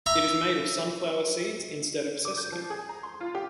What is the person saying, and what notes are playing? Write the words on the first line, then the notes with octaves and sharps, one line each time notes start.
It is made of sunflower seeds instead of sesame.
E5 A#5
D6
G6
F3
G#4
A#5
C6
F4
G4